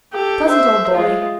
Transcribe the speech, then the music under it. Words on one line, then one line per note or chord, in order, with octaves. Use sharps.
Pleasant old boy.
G4 A4
C5 E5
G#3 F4